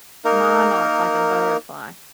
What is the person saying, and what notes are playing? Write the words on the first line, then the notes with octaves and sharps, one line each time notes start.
Monarch, like in a butterfly.
A#3 D#4 A#4